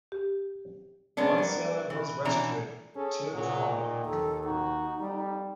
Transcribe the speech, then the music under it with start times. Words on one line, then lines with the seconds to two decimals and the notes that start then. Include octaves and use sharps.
One sailor was rescued; two drowned.
0.12 G4
1.17 G#3 B3 C#4 D4
1.38 G3 A#4
1.90 E3
2.25 B2 E3 C#4 D4 A#5
2.96 C#4 G#4 A4
3.34 A#2 F#3
3.69 D#3
4.06 D#2 A4
4.44 D#4 F#4
5.01 F2 G3